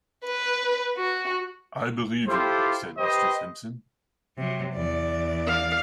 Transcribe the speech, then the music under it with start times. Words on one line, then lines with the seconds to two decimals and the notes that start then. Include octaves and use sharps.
"I believe you," said Mr. Simpson.
0.25 B4
0.98 F#4
2.28 E4 F4 G4 A4 C5
2.98 G4 B4 C5 D#5
4.38 C3 F#3
4.74 E2 D5
5.46 F5